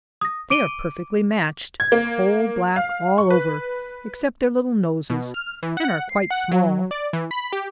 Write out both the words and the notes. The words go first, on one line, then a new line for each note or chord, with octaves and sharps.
They are perfectly matched--coal-black all over, except their little noses, and are quite small.
D#6 A#6
D6 D7 D#7 G7
G#6
A#3
F5
C#6
B4
B2
F6
E3
F#5
C7
F#5
F#3
D5
E3
B5
G4